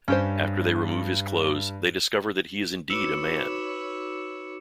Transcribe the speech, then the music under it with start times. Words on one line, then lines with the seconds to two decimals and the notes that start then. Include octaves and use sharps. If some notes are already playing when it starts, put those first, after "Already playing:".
After they remove his clothes, they discover that he is indeed a man.
0.08 G2 C#4 G4 C5
2.90 D#4 F#4 B4 C#5 D6 E6 C#7 E7